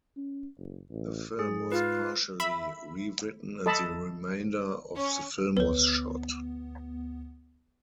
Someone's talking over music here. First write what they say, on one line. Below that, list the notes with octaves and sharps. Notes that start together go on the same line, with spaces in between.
The film was partially re-written and the remainder of the film was shot.
C#4
F#1
A1
G#2 G#4
F4 B4
E5 B5
A4 D#5 A5 B5
C#4
D2 B3 B4 C#5